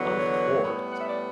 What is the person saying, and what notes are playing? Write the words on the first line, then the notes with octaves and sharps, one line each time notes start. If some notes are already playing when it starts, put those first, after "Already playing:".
Of course.
Already playing: E2 D3 F#3 B3
C#5
A2 G3 B3
F#5
E5
D5